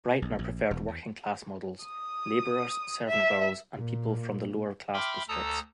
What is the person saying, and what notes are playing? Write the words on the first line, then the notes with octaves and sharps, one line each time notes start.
Breitner preferred working-class models: labourers, servant girls and people from the lower class districts.
B1
A#1
E1
E2
D#6
E5
A#2
E5 G5 B5 C6 D6 F6
D2 A4 A5 A#5 D#6 E6